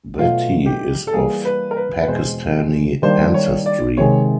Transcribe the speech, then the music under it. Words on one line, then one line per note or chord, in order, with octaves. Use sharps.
Bhatti is of Pakistani ancestry.
B2 F#3 A3 F4
G4
A4
E3 G3 A#3 G#4
B4
A#4
B4
B4
E2 B2 G#3 C4 C5
D#3 G3 A#3 D4 C5
C#5
D5
C3 D#3 G#3 C#5